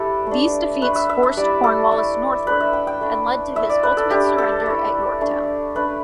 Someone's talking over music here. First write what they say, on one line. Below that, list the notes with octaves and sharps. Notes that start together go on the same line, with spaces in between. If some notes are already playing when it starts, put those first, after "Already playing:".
These defeats forced Cornwallis northward, and led to his ultimate surrender at Yorktown.
Already playing: A3 D4 E4 G4 A4 B4 E5
A3 D4
A3 D4 B4
E5
E5
E5
G3 E4 D5
A4
A3 E4
A3 D4 B4
E5
G5
G5
A3 D4
A3 E4 E5
D5
B4
A4
A3 D4 G4
A4
A3 E4
A3 D4
A3 D4 B4